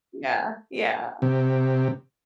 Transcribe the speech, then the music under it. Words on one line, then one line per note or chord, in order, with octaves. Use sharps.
Yeah, yeah.
C3